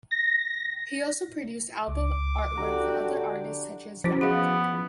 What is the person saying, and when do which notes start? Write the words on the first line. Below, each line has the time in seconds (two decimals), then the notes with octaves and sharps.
He also produced album artwork for other artists such as Yacht.
0.11 A#6
1.88 C#2 D6
2.58 D3 F#4 G4 A#5
4.04 F3 C#4 E4 F#4
4.21 B3 G#4 D#5 F5